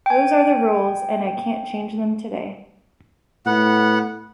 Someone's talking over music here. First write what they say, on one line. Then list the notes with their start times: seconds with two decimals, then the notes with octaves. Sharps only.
Those are the rules and I can't change them today.
0.06 G5 G#5
3.46 A2 B3 F#5